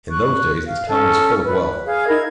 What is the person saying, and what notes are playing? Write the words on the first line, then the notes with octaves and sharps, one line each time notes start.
In those days this town was full of wealth.
C#6 F#6
F5
C#4 A4
B4
G#4 F5
D#4 E4 A#4 G#6